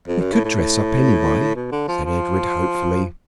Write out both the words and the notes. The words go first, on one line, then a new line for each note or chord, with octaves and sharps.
"We could dress up, anyway," said Edred hopefully.
F2
F#2
A2
A2
B2
D3
F3
F3